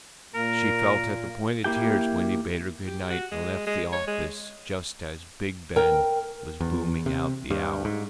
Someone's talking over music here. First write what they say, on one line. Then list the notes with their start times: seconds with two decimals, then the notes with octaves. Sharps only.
She felt at the point of tears when he bade her good night and left the office, just as Big Ben was booming out the hour.
0.35 A#2 A#3 A#4
1.64 A#3 E4 G4 G5
2.87 G4
3.10 F#4
3.32 G#3
3.66 G#3
3.92 C#5
4.07 G#3
5.76 A#4 G5
6.61 E2
7.06 C3
7.51 G2
7.85 G#2